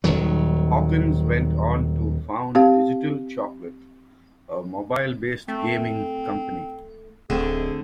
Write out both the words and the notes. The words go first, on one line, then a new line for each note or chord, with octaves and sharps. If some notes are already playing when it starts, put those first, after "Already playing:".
Hawkins went on to found Digital Chocolate, a mobile-based gaming company.
D#1 D#2 D#3 F#3
C4 G4 F5
A3 C4
D1 D3 A3 C4 G#4